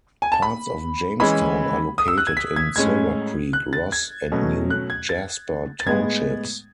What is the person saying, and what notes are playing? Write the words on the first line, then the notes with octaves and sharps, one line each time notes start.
Parts of Jamestown are located in Silvercreek, Ross, and New Jasper Townships.
G#5
A5
B5
E3 G#3 C#4 B5
D#6
E6
F#6
G#6
B6
G#6
A2 G#3 C#4 G#6
F#6
A6
G#6
B2 F#3 A3 C#4
F#6
G#6
A6
A6
A2 G#3 B3 G#6